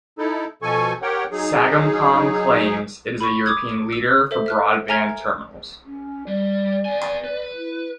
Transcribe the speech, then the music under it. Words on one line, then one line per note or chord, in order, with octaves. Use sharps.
Sagemcom claims it is a European leader for broadband terminals.
D#4 E4 A4
B2 F3 A4 G#5 C#6
G4 A#4 C#5 F#5 G5
F#3 D#4 G#4
B5 C#6
D6 D#6 G#6
E6
A4 C5 E5
E5 F6 F#6
E5 G#5 A#5 F6 G#6
C#4
G3 D5
B3 G#5
B4
E4